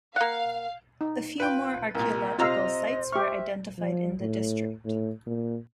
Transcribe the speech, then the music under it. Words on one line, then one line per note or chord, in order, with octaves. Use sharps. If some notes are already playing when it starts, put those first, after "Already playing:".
A few more archaeological sites were identified in the district.
A#3 F5 F#5
D#4
F4 B4 G5
C2 A#2 A#4
C3 F4 C5 D#5 F5 A#5 E6
G4 E5 C#6 F6
F3
A2
A2
A#2